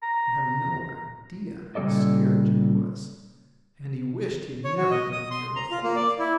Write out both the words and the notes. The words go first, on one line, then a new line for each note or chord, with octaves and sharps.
You have no idea how scared Jimmie was, and he wished he had never gone near the falls.
A#5
A#2 C#3 G3 A4 D5 D#5
C#5
F#4
D#5
D#6
C6
A#5
F4
A#3
D5
E4